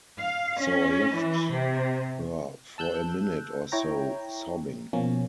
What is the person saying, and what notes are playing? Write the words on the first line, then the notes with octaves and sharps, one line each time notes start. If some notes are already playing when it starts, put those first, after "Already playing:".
So I left her for a minute or so sobbing.
F5
C#4
E3
C3
A5 E6 F#6 G6
E4 C#5 G5 A#5
B2 F3 A#3 C#4